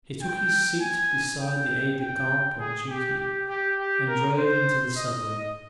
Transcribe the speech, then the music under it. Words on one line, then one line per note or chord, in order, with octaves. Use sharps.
He took his seat beside the aide-de-camp on duty and drove into the suburb.
G5
G#5
G5
G5
G#4
G4
G4
G4
G4
A#4
C5
D#5